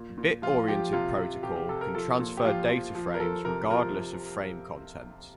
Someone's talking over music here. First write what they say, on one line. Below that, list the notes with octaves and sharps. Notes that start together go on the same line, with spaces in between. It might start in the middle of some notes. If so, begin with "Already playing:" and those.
Bit oriented protocol can transfer data frames regardless of frame contents.
Already playing: A#2
A#2
F3 F4
F3 G4
C3 F4
C3
C3 G4
G4
C3 A4
A#4
F3 A4
A#2
G4
F3 F4
F3
F3
A#4
F3 A4
C3 A#4
F3 A#4